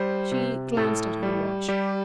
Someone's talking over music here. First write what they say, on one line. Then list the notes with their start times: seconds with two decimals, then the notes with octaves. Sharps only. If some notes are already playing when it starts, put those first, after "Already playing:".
She glanced at her watch.
Already playing: G3 C5
0.32 C3
0.77 A2 A4
1.23 G3
1.68 G3 G4